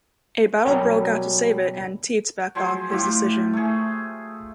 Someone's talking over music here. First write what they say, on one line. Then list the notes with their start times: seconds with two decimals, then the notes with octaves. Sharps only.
A battle broke out to save it, and Tietz backed off his decision.
0.65 B2 F#3 G3 C#4 A4 A#4
2.55 F3 F#3 G#4 C5
2.89 A2 F4 G4
3.53 A3 G#4